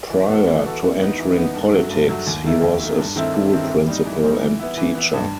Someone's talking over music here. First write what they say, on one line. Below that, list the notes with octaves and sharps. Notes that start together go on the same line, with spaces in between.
Prior to entering politics, he was a school principal and teacher.
E3
B3 F#4 A4
E3
B3 F#4 A4
E3
B3 D#4
E3
B3 D#4
G2
F#3 A3
G2
F#3 A3
D#2
D#3 A3 E4
D#2
D#3 A3 E4
G2
D#3 A3 C4 E4
G2
D#3 A3 C4 E4
E3
G3 D#4
E3
G3 D#4
E3
B3 E4
E3
B3 E4
G2